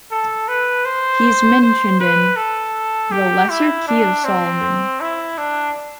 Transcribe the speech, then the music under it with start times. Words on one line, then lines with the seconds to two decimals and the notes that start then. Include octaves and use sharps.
He is mentioned in "The Lesser Key of Solomon".
0.11 A4
0.48 B4
0.85 C5
1.62 C5
2.00 B4
2.36 A4
3.12 G4
3.50 E4
3.88 D4
4.25 C4
5.00 E4
5.38 D4